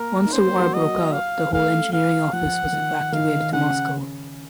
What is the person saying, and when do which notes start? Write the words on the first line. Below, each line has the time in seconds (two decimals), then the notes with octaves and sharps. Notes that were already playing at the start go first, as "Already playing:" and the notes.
Once the war broke out the whole engineering office was evacuated to Moscow.
Already playing: A#3 A#4
0.24 D#4
0.33 C#4 C5
0.46 A#3
0.59 F#3
0.74 D#5
1.13 F5
1.53 A3 F5
1.93 F5
2.33 F3 F#5
2.72 D#3
3.12 D#3 F5
3.53 C#3 F#5